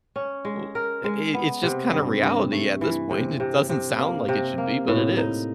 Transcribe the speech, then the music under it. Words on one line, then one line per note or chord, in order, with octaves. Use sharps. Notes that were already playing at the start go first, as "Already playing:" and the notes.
Well eh it it's just kind of reality at this point. It doesn't sound like it should be, but it is.
C#4
G#3
A#4
G#3
B3
C3
G2
G2
A3
E3
C3
C3
C3
A#3
C3
A#3
A2
D#4